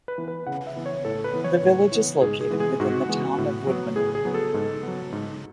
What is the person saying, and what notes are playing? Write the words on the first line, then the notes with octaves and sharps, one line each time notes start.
The village is located within the Town of Woodman.
B4
E3 B3
B4
C#3 F#5
E5
E3 B3
C#5
A2 A4
B4
E3 B3
C#5
A2
E3 B3
G#2 G#4
G#4
E3 G#3 B3
G#4
G#2 F#4
E3 G#3 B3
A2
F#3 B3
A2 G#4
G#4
F#3 B3
A4
G#2
F#3 B3
G#2